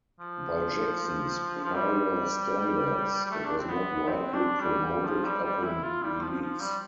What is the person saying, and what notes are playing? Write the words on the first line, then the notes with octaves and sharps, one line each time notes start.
By Jackson's prior standards, it was not widely promoted upon release.
F3
F3
G3
G3
A3
D4
C4
B3
C4
D4
G3
G3
F3
G3
G3
E4
F4
G3
F3
F3
G3